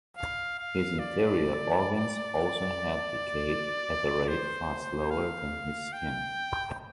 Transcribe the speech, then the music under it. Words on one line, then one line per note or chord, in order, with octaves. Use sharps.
His interior organs also had decayed at a rate far slower than his skin.
F5
F5
D5
C5
F5
G5